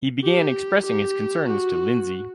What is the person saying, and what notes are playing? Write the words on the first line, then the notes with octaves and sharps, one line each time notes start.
He began expressing his concerns to Lindsay.
G4
G4
F#4